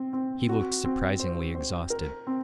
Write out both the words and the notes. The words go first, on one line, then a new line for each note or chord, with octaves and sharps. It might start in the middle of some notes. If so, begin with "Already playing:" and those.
He looked surprisingly exhausted.
Already playing: C4
C4
F#4
C4
C5
C5
A#4
C4